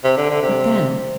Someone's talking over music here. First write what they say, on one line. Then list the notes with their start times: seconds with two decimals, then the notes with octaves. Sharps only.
"What then?"
0.04 C3
0.17 D3
0.29 D3
0.42 C3